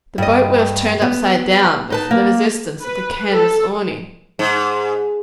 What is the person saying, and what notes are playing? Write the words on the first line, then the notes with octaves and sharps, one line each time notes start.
The boat would have turned upside down but for the resistance of the canvas awning.
G2 D#5
B3
D#4 B4 A5
A#3
B4
A4
G#2